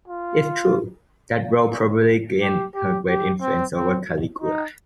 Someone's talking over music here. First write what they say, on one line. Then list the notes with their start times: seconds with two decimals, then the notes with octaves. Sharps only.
If true, that role probably gained her great influence over Caligula.
0.08 F4
2.42 G4
2.75 G4
3.08 G4
3.41 C4
3.75 C4
4.41 D#4